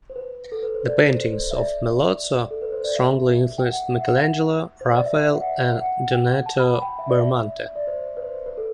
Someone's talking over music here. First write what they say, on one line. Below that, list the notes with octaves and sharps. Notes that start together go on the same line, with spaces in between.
The paintings of Melozzo strongly influenced Michelangelo, Raphael and Donato Bramante.
C5
B4
A4
B4
C5
D5
C5
C5
E5
D5
A4
B4
C5
D5
E5
G5
F#5
E5
F#5
C5
D5
E5
F#5
E5
F#5
G5
A5
B5
A5
G5
E5
D5
E5
D5
C5
B4
C5
B4
A4